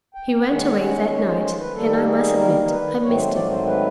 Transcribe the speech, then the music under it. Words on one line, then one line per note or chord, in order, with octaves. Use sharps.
He went away that night, and I must admit I missed him.
G5
D#3 G#3 C#4 F#5
F#5
C#5
C5
C5
B4
D#3 G3 A#3 A4
G4
G#4
A#4
B4
G#2 D#3 F#3 A3 C4 C#5
C5
D5
C5
B4